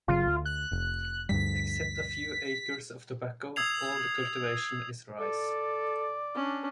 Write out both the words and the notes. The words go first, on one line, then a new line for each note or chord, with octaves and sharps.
Except a few acres of tobacco, all the cultivation is rice.
G1 C#3 F#3 F4
D2
F#6
F1
D2 G2 G3 B6
D#6 E6 G#6 C7 F7
A4 D5
C#4 D4